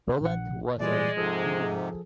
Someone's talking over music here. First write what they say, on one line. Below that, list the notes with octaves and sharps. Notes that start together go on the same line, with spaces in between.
Bullant was a Huguenot.
A#1 F#5
A#2 E3 G3 G#3 D5
G#2 C3 F3 G#4 A4